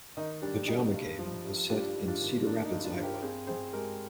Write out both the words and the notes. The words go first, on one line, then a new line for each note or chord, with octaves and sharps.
"The Pajama Game" is set in Cedar Rapids, Iowa.
D#3 D#4
G3 D4
G3 D#4
G2
F3
G2
G3 D4 F4
G#2
D4 F4
D#3
A#3 D4
D#4
G2
D4 F4
G2
G4 A#4
C4 G#4 C5
C4 G#4 C5
G#3 G4 A#4